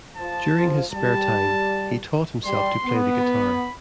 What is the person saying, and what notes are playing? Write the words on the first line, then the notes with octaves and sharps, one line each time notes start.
During his spare time, he taught himself to play the guitar.
F3 A5
F3
G3 A5
G3 C6
B3
B5